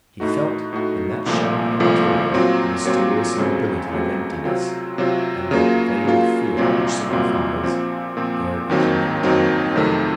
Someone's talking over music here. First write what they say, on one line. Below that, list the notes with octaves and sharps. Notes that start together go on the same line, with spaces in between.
He felt in that shadowy interior the mysterious immobility of emptiness, and that vague fear which signifies--"There is no one here."
A2 A3 D#4 F#4
A2 A3 D#4 F#4
C2 A#2 F3 A3
C2 A#2 F3 A3
A#2 F#3 C4 F4
A#2 F#3 C4 F4
C#2 C#3 F#3 A3 C4
C#2 C#3 F#3 A3 C4
C3 F#3 C4 F4
C3 F#3 C4 F4
C#3 F#3 A#3 F4
C#3 F#3 A#3 F4
C2 A#2 F#3 C4 F4
C2 A#2 F#3 C4 F4
A#2 F3 C4
A#2 F3 C4
D#2 D#3 F#3 C4 D#4
D#2 D#3 F#3 C4 D#4
F2 C3 D#3 F#3 A3